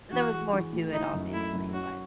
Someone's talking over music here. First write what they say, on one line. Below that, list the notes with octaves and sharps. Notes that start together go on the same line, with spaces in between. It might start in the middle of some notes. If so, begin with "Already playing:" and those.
there was more to it, obviously, but
E3 F#4
G#3
E3
A2
D#4 E4
F#2
A3 E4
F#2
C#4 F#4